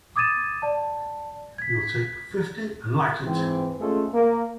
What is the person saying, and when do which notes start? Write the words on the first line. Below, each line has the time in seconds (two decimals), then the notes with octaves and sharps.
You'll take fifty and like it!
0.16 D6 D#6 G#6 A6 D#7 E7
0.62 D5 A5
1.58 G#6 B6
3.25 G#2 E3 C4
3.79 G#3 A3 C#4 F4 G#4 A4
4.13 A#3